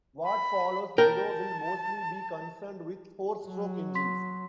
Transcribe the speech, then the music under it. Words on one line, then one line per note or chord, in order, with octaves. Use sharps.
What follows below will mostly be concerned with four-stroke engines.
B5
A#4 G5 A5
F#3
C6 B6